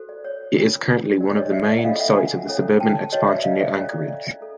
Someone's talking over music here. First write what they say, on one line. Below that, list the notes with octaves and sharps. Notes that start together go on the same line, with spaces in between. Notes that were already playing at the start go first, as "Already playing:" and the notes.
It is currently one of the main sites of suburban expansion near Anchorage.
Already playing: F#4 A4 C5
D5
C#5
C#4 F4 A#4
D4 F#4 A#4 D5
D5
C#5 D#5
D5 E5
D5 E5
F#5
D4 F4 A4 C#5 D#5 F5
E5 F#5
F#5 G#5
C#4 E4 A4 C#5
G5 A5
F#4 B4 C#5 D#5
D5 E5
D#5 F5
D5 E5
C#4 E4 A4 C#5
D5
E4 A4